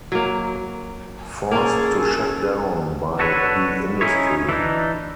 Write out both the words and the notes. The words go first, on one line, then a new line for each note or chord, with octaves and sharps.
Forced to shut down by the industry.
F#3 A#3
A#3 C#4 G#4 A4
D4 F#4 A4 B4 C#5
C#4 D#4 E4 C#5
E3 D4 D#4